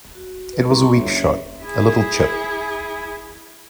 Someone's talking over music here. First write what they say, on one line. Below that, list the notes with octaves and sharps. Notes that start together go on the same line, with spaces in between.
It was a weak shot, a little chip.
F#4
B4
C2 A#5 C6 C#6
G1 C#5 E5
F#1
E4 G#4